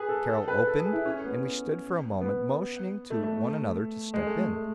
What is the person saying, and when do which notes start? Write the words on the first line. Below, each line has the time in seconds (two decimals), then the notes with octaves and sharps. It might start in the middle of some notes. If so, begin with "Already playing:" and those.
Carroll opened, and we stood for a moment motioning to one another to step in.
Already playing: G#4 B4
0.09 A4
0.29 A4
0.48 B4
0.67 A4
0.80 G#4
0.93 E4
1.06 C#4
1.25 B3
2.21 B3
3.10 A3
3.23 A3
4.14 G#3
4.26 A3
4.39 G#3
4.52 A3